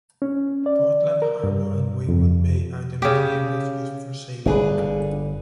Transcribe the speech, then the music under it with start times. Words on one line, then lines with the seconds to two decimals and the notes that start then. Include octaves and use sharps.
Portland Harbour and Weymouth Bay are the main areas used for sailing.
0.22 C#4
0.66 D5
1.22 A#4
1.44 G2
2.09 F2
3.02 C#3 G4
4.46 G1 D3 G#4 B4